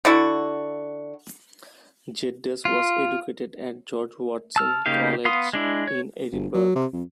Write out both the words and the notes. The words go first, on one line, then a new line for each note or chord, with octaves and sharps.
Geddes was educated at George Watson's College, in Edinburgh.
D3 E4 F#4
F4
A5 E6 F6
C#3 A#3 D#4 G4 F5
B3 F5 C6 D#6
G#3 D4 E4
C#5
G1
F#3
C3
F2